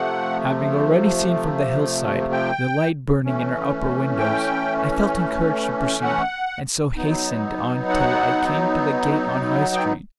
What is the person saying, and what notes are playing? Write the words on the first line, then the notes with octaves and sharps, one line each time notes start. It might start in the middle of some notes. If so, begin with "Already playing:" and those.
Having already seen from the hillside the light burning in her upper windows, I felt encouraged to proceed, and so hastened on till I came to the gate on High Street.
Already playing: C3 F3 A3 F#5
G5
E3 A3 C#4
G5
F#5
F#3 B3 D#4
F#5
G5